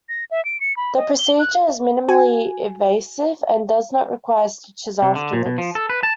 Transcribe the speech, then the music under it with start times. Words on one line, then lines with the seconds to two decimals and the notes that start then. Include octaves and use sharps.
The procedure is minimally invasive and does not require stitches afterwards.
0.09 A#6
0.31 E5
0.45 D7
0.60 C#7
0.77 B5
0.97 D#5
1.18 G7
1.39 F#6
2.08 F#4 G#5
5.02 C3
5.15 D3
5.33 A#2
5.46 B2
5.58 F3
5.75 A4
5.90 B4
6.03 A5